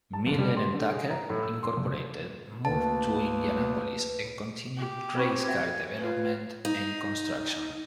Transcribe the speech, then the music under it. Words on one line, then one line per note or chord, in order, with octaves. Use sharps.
Miller and Tucker, Incorporated moved to Indianapolis and continued race car development and construction.
A5
F#1
G3
C6
D3
G#4
A#5
A2
E6
C6
F#1
D2 A#3 B4 A5
G4
C4 B4 G#5 B5 C#6
F#4 E5 F#5
F4 B4
D#4